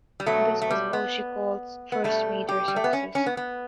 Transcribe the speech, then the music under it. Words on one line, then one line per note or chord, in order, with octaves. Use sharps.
This was Boucicault's first major success.
G3
B2 F#3 A3
A3
G3
B3
B3
B2 G3 A3
G4
G3
A3
B3
C#4
C#4
B3
B3